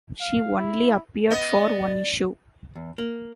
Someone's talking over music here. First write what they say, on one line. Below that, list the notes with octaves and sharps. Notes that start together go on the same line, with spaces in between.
She only appeared for one issue.
F5
E4
B3 D#5
D5
E2
A#3